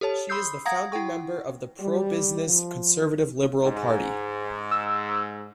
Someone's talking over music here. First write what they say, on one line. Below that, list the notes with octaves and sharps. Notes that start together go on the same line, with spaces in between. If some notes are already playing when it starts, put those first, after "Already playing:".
She is the founding member of the pro-business conservative Liberal Party.
G4 A4 C#5 A5
B5 C6 D#6 E6 G6 C7
F5 F#5 A#5 D#6 G#6 A#6
E4 F#5 G5 C#6
G3
F3
G#2
E6